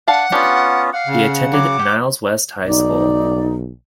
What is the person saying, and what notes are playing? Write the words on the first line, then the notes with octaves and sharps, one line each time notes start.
He attended Niles West high school.
D4 F5 F#5 A5
B3 C#4 D4 F4 G4
F5 F#5
C#3
F#3 D6
G4
B1 D#4 D5